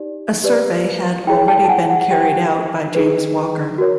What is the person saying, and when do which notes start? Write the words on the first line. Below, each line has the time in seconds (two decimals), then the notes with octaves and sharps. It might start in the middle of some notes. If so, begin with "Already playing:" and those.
A survey had already been carried out by James Walker.
Already playing: D#4 G4 D5
0.44 G4 B4 D5
1.27 E4 G#4 C#5 G5
1.48 G5 A5
1.64 A5
1.69 F#5 G#5
1.90 F#5
2.01 F#5
2.11 G4 C5 G5
2.95 D#4 G#4 B4
3.78 F#4 A#4 C#5